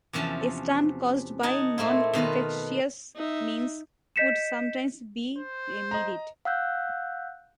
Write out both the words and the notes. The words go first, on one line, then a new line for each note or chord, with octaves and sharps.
A stunt caused by noninfectious means could sometimes be remedied.
E2 C3 F3 C#4 A5
D#4 D#5 F#5 G#5 A5
A#2 A3 C4 E4
B2 D#3 F4 B4
D#4 E5
D#5 G6 B6 C#7 E7
C5
D#5 A#5
F5 F#5 E6 F#6 G6